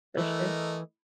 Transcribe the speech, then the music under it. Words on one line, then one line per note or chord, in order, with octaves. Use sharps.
for sure.
E3 A3 A#4 D#5